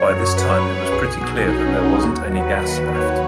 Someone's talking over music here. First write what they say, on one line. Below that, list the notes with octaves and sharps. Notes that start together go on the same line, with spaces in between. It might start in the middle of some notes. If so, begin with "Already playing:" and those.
By this time it was pretty clear that there wasn't any gas left.
Already playing: F#2 C#5
F#3
F#2 B4
F#3
B1 G#4
B2 F#3
B1 D#4
C#4
B2 F#3
D#4
D#2 F#4
D#3 F#3
B4
D#2 B4
D#3 F#3
C#5